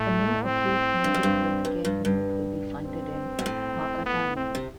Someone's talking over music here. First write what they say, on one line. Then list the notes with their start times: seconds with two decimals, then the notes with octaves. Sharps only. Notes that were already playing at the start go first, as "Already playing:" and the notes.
A new acute mental health care unit will be funded in Whakatane.
Already playing: A2 A3
0.44 C4
1.04 G2
1.14 F2
1.23 G2
1.65 G2
1.85 G2
2.05 G2
2.85 C4
3.39 B2
3.46 A2
4.06 B3
4.36 C4
4.55 C3